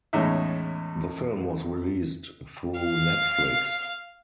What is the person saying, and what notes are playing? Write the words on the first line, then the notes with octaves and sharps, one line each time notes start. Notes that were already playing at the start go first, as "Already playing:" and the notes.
The film was released through Netflix.
E2 A2 G#3 C#4 D#4 E5
F5